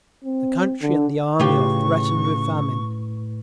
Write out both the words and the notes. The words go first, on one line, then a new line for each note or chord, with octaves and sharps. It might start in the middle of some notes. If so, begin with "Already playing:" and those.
The country and the Army are threatened with famine.
C4
D3
A2 C#3 F4 G4 B4 C#6